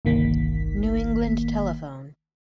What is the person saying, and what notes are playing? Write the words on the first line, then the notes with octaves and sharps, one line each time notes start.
New England Telephone.
G1 C2 D#3 A#3 B6